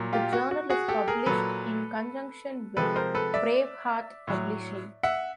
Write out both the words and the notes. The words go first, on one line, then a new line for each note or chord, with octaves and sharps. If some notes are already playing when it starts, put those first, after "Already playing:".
The Journal is published in conjunction with Braveheart Publishing.
Already playing: A#2 F#3
F4 G4
F#4
F#4
F#4 G#4
G4 A4
G#4 A#4
A#2 F#3 A4 B4
C3 F3 G#3 A4 B4
A#4 C5
A4 B4
D5 E5
A2 F#3
E5 F#5